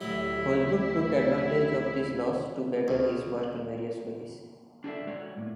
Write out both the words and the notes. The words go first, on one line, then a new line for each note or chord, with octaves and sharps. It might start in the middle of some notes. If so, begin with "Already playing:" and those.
Holbrook took advantage of this loss to better his work in various ways.
D2 A2 F#3 E4 G4 E5
C#2
D4 G#4 A4 D5 E5
G#3 F#4 C#5 D5
A2 A#3